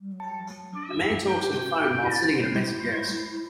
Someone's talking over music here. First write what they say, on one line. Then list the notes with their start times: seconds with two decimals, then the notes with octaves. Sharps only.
A man talks on the phone while sitting at a messy desk.
0.01 G3
0.12 F#3
0.43 F#3
0.75 D4
0.89 F#4
0.97 E4
1.32 F#4
1.39 G4
1.60 F#4
1.82 F#4
2.03 E4